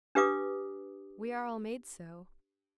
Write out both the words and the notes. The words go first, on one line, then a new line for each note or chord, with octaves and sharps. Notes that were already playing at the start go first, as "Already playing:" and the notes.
We are all made so.
D4 G4 B4 F5 D6 D#6